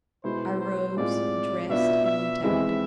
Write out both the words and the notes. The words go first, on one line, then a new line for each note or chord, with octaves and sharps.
I rose, dressed, and went out.
B2 G#3 B3 E4 C5
C5
A2 G#3 C4 F4 D5
B2 B3 D4 F4 E5
E5
F2 E3 G#3 C4 E4 E5